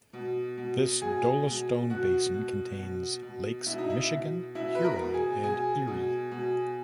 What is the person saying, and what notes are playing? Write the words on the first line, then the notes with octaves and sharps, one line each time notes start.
This dolostone basin contains Lakes Michigan, Huron, and Erie.
B2
B2
B2 G#4
B2
B2 F#4
B2
B2
B2
B2 E4
D#4
E4
B2
B2 E4
B4
A#4
B2
G#4
B2 G#4
B2
B2